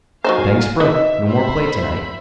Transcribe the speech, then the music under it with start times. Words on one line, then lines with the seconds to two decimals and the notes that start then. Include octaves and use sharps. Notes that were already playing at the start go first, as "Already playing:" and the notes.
The bank's broke; no more play to-night.
0.24 F#3 D#4 C5 F5 G#5
0.80 D#4 B4 D#5 E5
1.26 C5 E5 B5